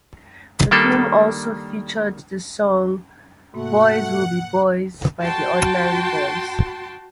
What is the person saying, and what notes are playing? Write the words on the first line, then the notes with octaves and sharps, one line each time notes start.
The film also featured the song "Boys Will Be Boys" by The Ordinary Boys.
D#3 G3 A#3 D4 A4
G#2 C3 A3 A#3 F#4 F#5
F#4 G5 A5 C6